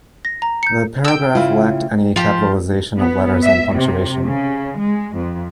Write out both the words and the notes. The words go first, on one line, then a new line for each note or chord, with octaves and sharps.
The paragraph lacked any capitalization of letters and punctuation.
A#6
A#5
G6 C#7
G5 E6
C#3 E4 F4
F3 F4 G4
B3
E5
C3
C#3
G#3
F2